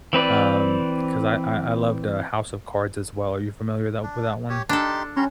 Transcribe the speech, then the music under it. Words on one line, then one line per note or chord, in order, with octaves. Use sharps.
um, 'cause I I I loved the House of Cards as well, are you familiar with that with that one?
E3 C4 B4 D5
D4
G4 C#5
D4 D#4 G4 A4 C6
G3 C#4 A#5 C6